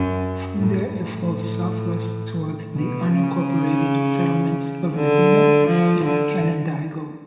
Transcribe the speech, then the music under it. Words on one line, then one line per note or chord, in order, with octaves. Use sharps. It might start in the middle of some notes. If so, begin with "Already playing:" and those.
From there it flows southwest toward the unincorporated settlements of Medina and Canandaigua.
Already playing: F#2
A2
A2
B2
C#3
D3
F3
D3